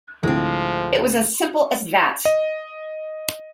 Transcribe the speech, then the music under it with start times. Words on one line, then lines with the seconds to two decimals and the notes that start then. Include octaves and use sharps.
It was as simple as that!
0.23 D2 A2 F3 G#3 C4
2.25 D#5